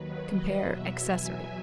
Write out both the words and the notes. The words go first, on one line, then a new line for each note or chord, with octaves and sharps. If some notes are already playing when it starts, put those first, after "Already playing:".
Compare ACCESSORY.
Already playing: D#2 D#3 F#3 B4
D#5
E2 B2 F#3 E5
G#5